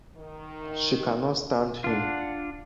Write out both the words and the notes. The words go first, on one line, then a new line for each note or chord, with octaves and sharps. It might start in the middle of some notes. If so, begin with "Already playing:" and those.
She cannot stand him.
D#3
D4 F4 D5 F#5